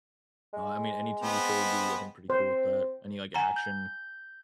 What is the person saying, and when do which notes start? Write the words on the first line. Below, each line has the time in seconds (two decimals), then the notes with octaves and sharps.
Uh, I mean, any TV show would be, I think, pretty cool with that. Any like action,
0.53 G#3
1.22 B3 C4
2.30 C4 C5
3.34 F#5 G#5 A#5
3.56 G6